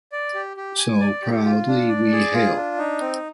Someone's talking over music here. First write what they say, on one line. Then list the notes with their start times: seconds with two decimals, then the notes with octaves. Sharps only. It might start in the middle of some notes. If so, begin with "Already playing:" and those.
So Proudly We Hail!
0.12 D5
0.34 G4
0.57 G4
0.78 G#5
1.00 D5
1.23 G4
1.44 F4
1.67 D4
1.89 D5
2.12 G#4
2.34 F4
2.56 D4
2.78 D#4
3.00 C4